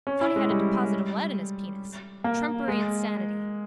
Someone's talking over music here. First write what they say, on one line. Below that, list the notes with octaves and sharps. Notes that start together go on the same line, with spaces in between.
Thought he had a deposit of lead in his penis. Trumpery insanity.
C#4
E4
G#3
G3
A#3
G#3